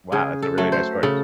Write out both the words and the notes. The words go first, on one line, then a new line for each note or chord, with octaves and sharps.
"Wow, that's a really nice horse."
C#3 G#4
A4
F#3 A3
C5
C#3 A4